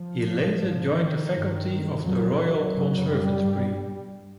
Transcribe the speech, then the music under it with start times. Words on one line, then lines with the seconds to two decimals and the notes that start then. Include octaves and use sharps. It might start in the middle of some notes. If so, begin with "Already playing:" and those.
He later joined the faculty of the Royal Conservatory.
Already playing: F3
0.61 G#2
0.97 D#3
1.32 G2
2.03 F2 C#3 F#3
2.37 F#3
2.73 F#2 C#3
3.09 G3
3.43 G2